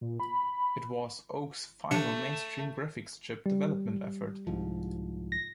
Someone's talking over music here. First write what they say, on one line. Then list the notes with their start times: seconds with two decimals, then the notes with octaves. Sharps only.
It was Oak's final mainstream graphics chip development effort.
0.01 A#2
0.20 B5
1.91 C3 A3 D4 C#7
3.46 G3
4.47 C2 G#2 F3
5.32 A#6